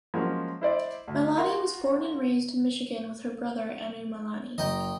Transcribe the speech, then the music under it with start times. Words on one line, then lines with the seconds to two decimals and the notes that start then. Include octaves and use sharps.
Malani was born and raised in Michigan with her brother Anu Malani.
0.14 F3 F#3 G#3 A#3 C#4
0.61 E4 C5 D5 D#5
1.08 D2
1.37 F4 F#4 A#4 F5 F#5
4.58 F#1 D#5 G5 A#5